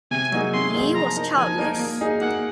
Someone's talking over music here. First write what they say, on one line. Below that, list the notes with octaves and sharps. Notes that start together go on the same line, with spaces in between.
Li was childless.
C3 G#5
F#3 A#3 D#4 G#4
C3 C6
F#3 A#3 D#4 G#4
F3 A#5
A#3 D#4 A#4
F3 G#5
A#3 D#4 A#4
A#3
D#4 G#4
A#3 F#5